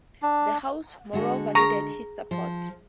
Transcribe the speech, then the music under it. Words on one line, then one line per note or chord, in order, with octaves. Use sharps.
The house, moreover, needed his support.
D4
D3 G#3 F#4
G#4 A#5 C#6
F3